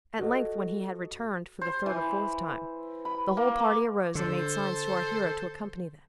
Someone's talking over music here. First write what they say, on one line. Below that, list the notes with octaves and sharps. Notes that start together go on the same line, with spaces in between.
At length, when he had returned for the third or fourth time, the whole party arose and made signs to our hero to accompany them.
F#4 A4 D#5
C5
E3
B5
A#3
D3 A4 C5